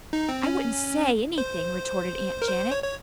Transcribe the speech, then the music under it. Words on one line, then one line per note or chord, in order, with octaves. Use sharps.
"I wouldn't SAY anything," retorted Aunt Janet.
D#4
C4
C#4
C5
A#4
C5
C#5
C#5